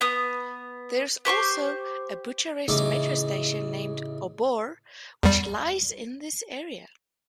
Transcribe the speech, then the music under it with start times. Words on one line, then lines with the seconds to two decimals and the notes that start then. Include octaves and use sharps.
There is also a Bucharest Metro station named Obor, which lies in this area.
0.01 B3 D#6
1.25 G4 C5 C#6 D6
2.68 A1 C#3 D#4 E5 D6
5.23 E2 G3